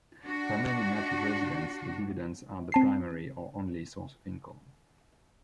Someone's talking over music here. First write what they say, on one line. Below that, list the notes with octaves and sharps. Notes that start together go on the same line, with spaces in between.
For many native residents the dividends are the primary, or only, source of income.
D4 F#4
C4 A5 C7